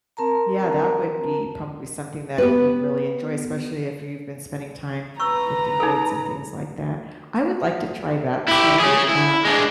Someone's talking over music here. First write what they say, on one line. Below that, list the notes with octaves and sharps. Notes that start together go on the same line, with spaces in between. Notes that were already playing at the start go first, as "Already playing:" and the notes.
Yeah, that would be probably something that you'd really enjoy, especially if you've been spending time lifting weights and things like that. I would like to try that too, um,
C4 A#4 A5 A#5
B3 G4 B4
B4 A#5 C#6 E6
D#4 G#4 A4
E4 G4
C#4 G#4
E4
G#3 D4